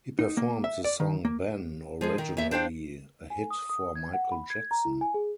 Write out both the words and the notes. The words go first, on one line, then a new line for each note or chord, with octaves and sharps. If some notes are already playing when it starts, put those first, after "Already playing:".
He performed the song "Ben", originally a hit for Michael Jackson.
D#4
A#3
E5
D5
D#3
A#3
F3 G#3 G#4
D#3
D#2 E5
D4 C5 F5 G5
G#5
D#6
D#6
G#6
F#5
B5
G#6
A#5
E4
G#5
G#4